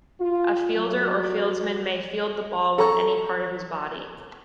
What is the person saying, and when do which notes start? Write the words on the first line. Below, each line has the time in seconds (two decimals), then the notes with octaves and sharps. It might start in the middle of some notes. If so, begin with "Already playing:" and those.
A "fielder" or "fieldsman" may field the ball with any part of his body.
0.20 F4
0.75 F#3
2.78 A4 A#5 C#6